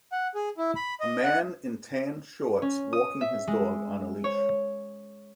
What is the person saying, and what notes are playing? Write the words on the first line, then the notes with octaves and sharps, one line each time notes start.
A man in tan shorts walking his dog on a leash.
F#5
G#4
E4
B5
D#5
F#5
C#4
D#6
E5
G#3
C#5